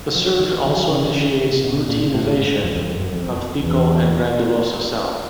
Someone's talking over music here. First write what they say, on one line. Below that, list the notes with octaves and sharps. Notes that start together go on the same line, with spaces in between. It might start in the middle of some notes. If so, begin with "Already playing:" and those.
The surge also initiates luteinization of thecal and granulosa cells.
F3
D#3
D3
F#3
C#3
D#3
D3
C3
C3
B2
A#2
A2
A2
G#2
F2
F2
F#2
F#2
F2
E2